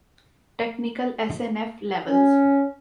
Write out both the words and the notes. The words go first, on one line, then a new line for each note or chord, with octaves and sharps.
Technical SNF levels.
C#4